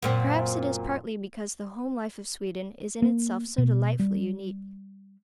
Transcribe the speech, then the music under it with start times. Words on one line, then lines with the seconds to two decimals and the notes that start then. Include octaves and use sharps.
Perhaps it is partly because the home-life of Sweden is in itself so delightfully unique.
0.02 F#2 A#2 C4
3.02 A#3
3.58 B2
3.99 G3